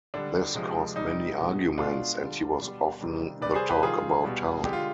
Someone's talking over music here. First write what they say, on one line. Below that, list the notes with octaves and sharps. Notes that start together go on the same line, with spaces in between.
This caused many arguments and he was often the talk about town.
D3 G3 D4
C3 F3 G#3
C3 G3 D#4
B2 G#3
B2 G#3 D4 F4
D3 G3
B2 G3
C3 D#3 G3
C3 G3 B4 D5
G#4 C5
G4 B4
C3 D#3 G3 F4 G#4
B2 G3
D3 G#3 G4
F4